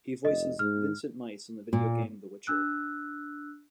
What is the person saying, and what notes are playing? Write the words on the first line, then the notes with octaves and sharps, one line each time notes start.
He voices Vincent Meis in the video game "The Witcher".
F1 D#5
G#2 F6
A#2
D4 E6 F#6